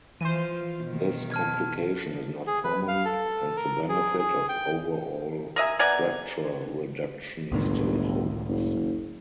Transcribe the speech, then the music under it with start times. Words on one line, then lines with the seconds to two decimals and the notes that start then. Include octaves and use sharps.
This complication is not common, and the benefit of overall fracture reduction still holds.
0.21 E3 F3 F4 C5 D#7
0.84 B2 D#3
1.32 A5 F6 G#6
2.47 G#4
2.64 B4
2.88 F5
3.05 A4
3.57 A#4
3.89 G#4
4.19 G#4
4.49 G5
5.56 A#4 D#5 E5 G#5
5.79 B3 A#4 D5 G#5
7.52 G1 C#2 A2 D#3
8.48 F#1